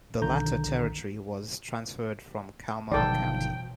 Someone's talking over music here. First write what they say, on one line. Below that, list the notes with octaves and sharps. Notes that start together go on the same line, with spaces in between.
The latter territory was transferred from Kalmar County.
B1 D3 D#3 A#5 G6
G1 B2 D#3 F3 F#3 A4 D5 G5